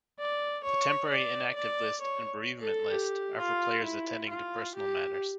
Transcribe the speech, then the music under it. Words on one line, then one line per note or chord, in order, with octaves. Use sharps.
The temporary inactive list and bereavement list are for players attending to personal matters.
D5
C#5
D5
D5
C#5
A4
G4
F4
E4
F4
G4